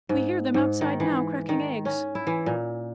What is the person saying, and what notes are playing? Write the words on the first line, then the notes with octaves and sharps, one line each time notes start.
We hear them outside now cracking eggs.
G#2
G#2
D#3
E3
D#3
C#4
E4
E3
A#2